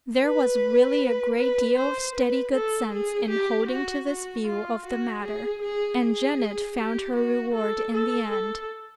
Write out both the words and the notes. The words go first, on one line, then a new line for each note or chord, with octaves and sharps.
There was really a great deal of steady good sense in holding to this view of the matter, and Janet found her reward in the end.
B4
B4
C5
B4
A4
G#4
G4
F#4
F#4
F4
F#4
G#4
G#4
G#4
G4
F#4
A4
A4
A4